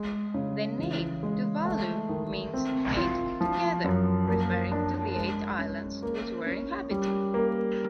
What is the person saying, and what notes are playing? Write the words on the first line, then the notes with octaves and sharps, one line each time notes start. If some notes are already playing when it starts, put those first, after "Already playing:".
The name "Tuvalu" means "eight together", referring to the eight islands which were inhabited.
Already playing: G#3
C#3
E3
G#3
A3
D#3
C4
F4
F3
F#2
A#3
D4
G#3
C#4
A#3
C#4
G3
A#3